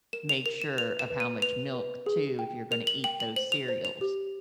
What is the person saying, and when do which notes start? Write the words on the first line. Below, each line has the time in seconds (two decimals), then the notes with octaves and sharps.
make sure of how much milk, too, if you're gonna eat those cereals
0.13 A#4 E7
0.29 F7
0.46 A#4 F7
0.62 E7
0.77 B4 F7
0.99 E7
1.10 B4
1.20 D#7
1.42 B4 F7
1.75 B4
2.06 G#4
2.39 G5
2.71 A#4 F7
2.87 F#7
3.04 G5 F#7
3.20 F#7
3.36 C5 F#7
3.52 F7
3.68 C5
3.85 F7
4.01 G4